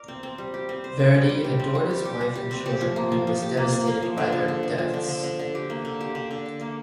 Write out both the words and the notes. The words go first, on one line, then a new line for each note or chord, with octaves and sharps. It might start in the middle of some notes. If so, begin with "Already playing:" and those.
Verdi adored his wife and children and was devastated by their deaths.
Already playing: A#4 D5
C4
C4
G3
G4
C4
C5
C5
G3
G3
G4
C4
G3
G4
G4
G3
G4
C4
G4
F3
A#3
F3
F3
G4
A#3
A#3
A#3
F3
D3
F3
D3
F3
F3
D3
D3
D3
D3
G4
A#3
D3
G4
D3
D3
D5
A#3